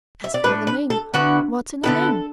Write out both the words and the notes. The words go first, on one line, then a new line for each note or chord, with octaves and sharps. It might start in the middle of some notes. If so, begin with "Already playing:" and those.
As for the name--what's in a name?
E5
D5
A2 A3 D4 B4
B4
A4
D3 B3 E4 F#4
D3 B3 E4 A4